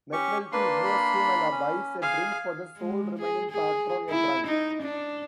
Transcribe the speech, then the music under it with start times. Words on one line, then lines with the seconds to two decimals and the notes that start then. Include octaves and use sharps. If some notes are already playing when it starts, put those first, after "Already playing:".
McNulty ignores him and buys a drink for the sole remaining patron, a drunk.
0.13 C#4 G4 C#6
0.52 A#3 D4 B4 C6
0.85 B5
1.51 C#4
2.02 G#4 F5 G#5
2.77 G#3
3.21 G#4
3.51 G#4
4.10 E4
4.47 D#4
4.82 D4